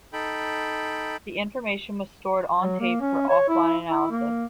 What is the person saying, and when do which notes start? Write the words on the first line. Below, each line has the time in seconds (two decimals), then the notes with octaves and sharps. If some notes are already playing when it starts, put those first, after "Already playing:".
The information was stored on tape for off-line analysis.
0.13 D#4 A4 G5 B5
2.60 F#3
2.80 A#3
3.01 C#4
3.29 C#5
3.49 E4
3.88 E4
4.11 A#3